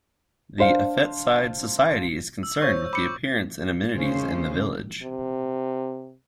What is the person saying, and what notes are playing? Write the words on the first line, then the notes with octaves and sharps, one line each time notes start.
The Affetside Society is concerned with the appearance and amenities in the village.
D4 C5 F5
E6
C5 C#5 C#6 G6
B5 D6 C#7
D#2 C#3 C#4 C5
C3